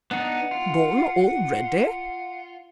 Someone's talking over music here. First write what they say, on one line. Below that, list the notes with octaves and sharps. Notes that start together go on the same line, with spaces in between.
"Gone already?"
B3 D4 D#4 F#5
F4